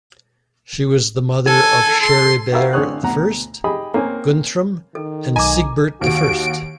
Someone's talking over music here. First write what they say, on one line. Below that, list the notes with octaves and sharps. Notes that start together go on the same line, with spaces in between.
She was the mother of Charibert the First, Guntram, and Sigebert the First.
A4 G#5
C6
F#4 G4 A#4 B4 E5 F5
A1 D3 C4 C#5 D#6 F#6
D2 B2 F#5 A#5
G4 G#4 D#5 G#5 B5
A#3 C4 C#4 G#5
D#3 A4
B1 D#5 G#5 A#5 D6
D#2 F#4 D7